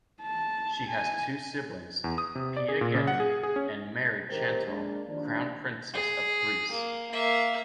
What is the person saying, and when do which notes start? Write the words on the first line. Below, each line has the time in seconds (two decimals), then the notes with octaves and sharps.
She has two siblings, Pia Getty and Marie-Chantal, Crown Princess of Greece.
0.22 A5
0.88 G#5
2.04 E2
2.18 D#6
2.35 C3
2.57 D5
2.69 G#4
2.81 A#2
2.95 C#3
3.07 F#5
3.20 G#4
3.43 G#4
3.56 C#4
4.29 A1 G#2 D#3 G4 A#4 C5
4.66 G#3 A#3 D4
5.06 D#3 F3 G3 A#3 D4
5.94 G#4
6.72 A#3
7.12 A#3 E5